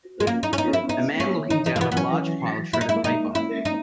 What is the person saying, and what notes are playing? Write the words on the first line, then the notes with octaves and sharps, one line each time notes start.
A man looking down at a large pile of shredded paper.
G#3
A#3 C#4
D#4 E4
C#4
B3 D#4
C#4
E4
B3 D#4
A#3 C#4
D#3
E3 D#4
E3 D#4
A#3
E3 B3
B3
F#3 C#4
E3
A#3 E4
D#4
G#3 E4
A#3
D#4
C#4 E4
D#4